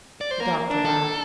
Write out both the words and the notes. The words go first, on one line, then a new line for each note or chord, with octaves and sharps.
The doctor laughed.
D5
C5
A#3 A#4
D4
A4